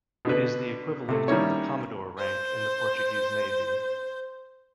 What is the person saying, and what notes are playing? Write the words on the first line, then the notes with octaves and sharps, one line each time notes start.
It is the equivalent of the commodore rank in the Portuguese Navy.
B2 D3 B4
C3 A3
D#3 G3 A#3 C#4 E4 C#5
C5 G6